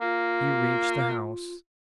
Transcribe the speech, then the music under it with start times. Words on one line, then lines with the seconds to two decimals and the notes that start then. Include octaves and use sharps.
He reached the house.
0.01 A#3 F4